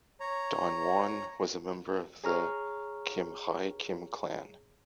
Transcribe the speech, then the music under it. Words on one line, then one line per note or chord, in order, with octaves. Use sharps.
Danwon was a member of the Gimhae Kim clan.
C#5 A#5
G#4 C#5 A#5 C#6 F6